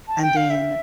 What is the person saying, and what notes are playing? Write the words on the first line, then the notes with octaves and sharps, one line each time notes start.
and then
A5
G5
F5
E5